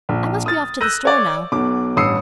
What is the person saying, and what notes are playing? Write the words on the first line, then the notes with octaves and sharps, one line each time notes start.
I must be off to the store now.
A#1
D#6 F6 A6
E6 F#6 G6 A#6 D#7
C#5 D5
B1 B2 D6
A1 G2 D#6 E6 C7 C#7